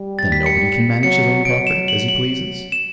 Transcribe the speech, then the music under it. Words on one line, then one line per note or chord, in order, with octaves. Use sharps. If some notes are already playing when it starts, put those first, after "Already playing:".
"Then nobody can manage his own property as he pleases?"
Already playing: G3
A6
B6
C#7
F#3 C#7
F#3 D7
E7
F#7
F#7
F#3
E7